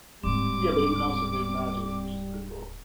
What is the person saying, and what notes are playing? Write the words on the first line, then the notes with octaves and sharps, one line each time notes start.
Yeah, but he can also do magic, which is pretty cool.
D1 G#2 G3 C4 D6